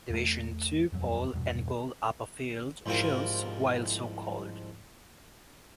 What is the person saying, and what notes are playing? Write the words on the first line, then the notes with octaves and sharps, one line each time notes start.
Division two-pole and gold upper field shows while so-called.
E2 A3
D#1 F2 F#3
E2 G2 B2
C2 G#2 F3 C4 A#4